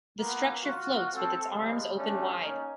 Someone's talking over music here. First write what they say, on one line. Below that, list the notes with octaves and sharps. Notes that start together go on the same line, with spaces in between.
The structure floats with its arms open wide.
A#3 B3 F4 A#4
F4 F#4
C4 A4
F3 G3 G#3
G3 A3 C#4 D4
A#3 C#4 D#4